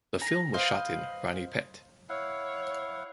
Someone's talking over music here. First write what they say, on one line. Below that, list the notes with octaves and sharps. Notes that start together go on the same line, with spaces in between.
The film was shot in Ranipet.
A#5
B4 C5 D#5 F5
E4 C#5 F5 F#5